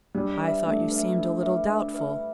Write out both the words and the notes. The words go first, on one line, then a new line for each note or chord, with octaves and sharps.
'I thought you seemed a little doubtful.'
G3 D4
B4 E5
A3 D4
B4 E5
D4
B4 E5
D4
B4 E5